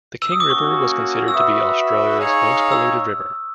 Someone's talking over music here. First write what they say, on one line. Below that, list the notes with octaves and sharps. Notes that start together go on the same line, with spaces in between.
The King River was considered to be Australia's most polluted river.
E6
D#6
D6
A#3 C#4 F#4 C#6
E6
F#4 B4 E5 D#6
D#4 G#4 C#5 F5
F6
E6